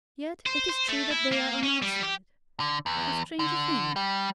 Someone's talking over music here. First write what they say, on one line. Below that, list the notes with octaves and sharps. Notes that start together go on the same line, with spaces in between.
Yet it is true that they are on our side; how strange a thing!
C5
C5
A3
E4
A#3
C#4
G3
G4
D3
E2
D3
G3